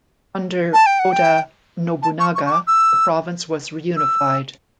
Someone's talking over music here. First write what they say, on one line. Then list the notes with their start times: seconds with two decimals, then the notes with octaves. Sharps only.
Under Oda Nobunaga, the province was reunified.
0.73 A5
0.86 G5
0.99 F#5
1.12 G5
2.03 A5
2.20 C#6
2.35 C#6
2.46 C#6
2.52 D6
2.67 E6
3.97 E6